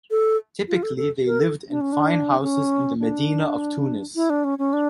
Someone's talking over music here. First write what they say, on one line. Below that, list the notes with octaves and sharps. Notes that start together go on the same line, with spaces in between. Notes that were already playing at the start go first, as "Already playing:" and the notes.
Typically they lived in fine houses in the medina of Tunis.
A4
F4
A4
A4
A#4
A4
D4
C#4
D4
C#4
D4
E4
D4
C#4
C#4
D4